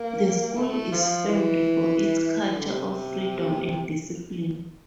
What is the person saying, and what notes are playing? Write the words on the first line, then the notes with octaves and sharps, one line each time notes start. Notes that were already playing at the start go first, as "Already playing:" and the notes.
The school is famed for its culture of "freedom and discipline".
Already playing: A#3
A3
F3
E3
E3
D3
C3